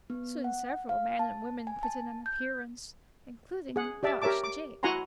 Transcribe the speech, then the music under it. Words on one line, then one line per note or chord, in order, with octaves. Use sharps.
Soon several men and women put in an appearance, including Dutch Jake.
B3
F#5
F5
A5
G#5
A5
G6
G#4 F#5
G4 D5 E5 A5
G4 A#4 C#5 E5 A5 D6
D6
E4 F#4 F#5 G#5 A#5 C6